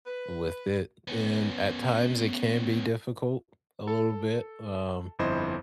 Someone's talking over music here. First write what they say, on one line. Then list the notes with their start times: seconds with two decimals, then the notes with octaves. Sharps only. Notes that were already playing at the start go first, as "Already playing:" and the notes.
with it. And at times, it can be difficult a little bit, um,
0.07 B4
1.08 B3 C#4
3.87 A4
5.19 G1 F2 E4 C5 D#5